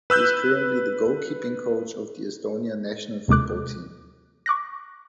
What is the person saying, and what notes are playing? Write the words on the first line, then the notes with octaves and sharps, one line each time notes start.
He is currently the goalkeeping coach of the Estonia national football team.
B4 E6 F#6 G6
D#2 C3 G#3 D6 F#6
C#6 D6 F#6 A#6